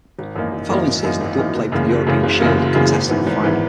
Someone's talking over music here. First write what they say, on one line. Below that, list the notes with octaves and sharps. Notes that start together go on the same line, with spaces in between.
The following season the club played for the European Shield, and contested the final.
G#1
F#2 E3 A#3 D#4
G#1
F#2 E3 A#3 D#4
G#1
F#2 E3 A#3 D#4
G#1
F#2 E3 A#3 D#4
F#1
F#2 C#3 E3 A#3
F#1
F#2 C#3 E3 A#3
F#1
F#2 C#3 E3 A#3
F#1
F#2 C#3 E3 A#3
G#1
G#2 E3 B3
G#1
G#2 E3 B3